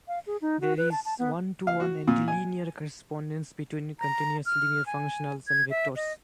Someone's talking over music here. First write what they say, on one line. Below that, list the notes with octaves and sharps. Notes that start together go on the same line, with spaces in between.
There is one-to-one antilinear correspondence between continuous linear functionals and vectors.
F5
G#4
D#4
F#4
B4
A5
A5
B3
F5
F#4
A#2
G#5
A#5
F6
G#5
G#6
E5
D#5